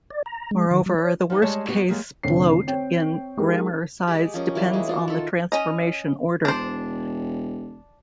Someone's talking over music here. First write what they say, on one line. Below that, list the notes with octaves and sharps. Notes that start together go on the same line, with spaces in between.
Moreover, the worst-case bloat in grammar size depends on the transformation order.
D5
A#5
G#3
D#3
F#3
C#5
F3 G3 D#4 B4
G3 G#3 G#4 C#5 D#5 A5
B3 F#4 G4 B4
F#3 G#3 A#3 G4 G#4
F1 D3 D#3 C4 C#5 C7
C4 C#5 G5
G#3 D#4 G4 A#4
G#3 G4
F3 C#4 A#4
E3 F#3 G3 A#3
G#3
D4 F4 F#4
D#3 A4
C#4 D#5
E1 D4 C5